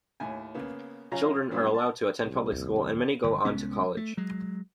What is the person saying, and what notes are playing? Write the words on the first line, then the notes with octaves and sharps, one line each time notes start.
Children are allowed to attend public school and many go on to college.
D#2 A2 G#5
C#3 A#3 B3
F#2 C#3 C#4 F4 A#5
G2 A#2 C#3 F#3 B3
A5
C2
D#2
G1
C2 G#3 B3 C#4
A3
F#3 G#3